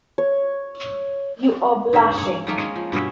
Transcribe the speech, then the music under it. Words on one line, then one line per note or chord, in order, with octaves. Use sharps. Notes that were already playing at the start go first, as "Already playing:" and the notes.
You are blushing.
C#5
G#2 D3 C#4 E5
C#5
D#3 A3 A#3
G#3 C#4
F3
G2 B2 C#4 E5